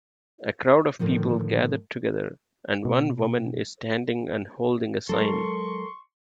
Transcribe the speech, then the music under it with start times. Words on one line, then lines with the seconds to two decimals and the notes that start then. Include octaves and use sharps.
A crowd of people gathered together and one woman is standing and holding a sign.
0.99 A2 D3 D#3 F3
2.85 B2
5.09 F#3 G#3 A4 A#4 C6 C#6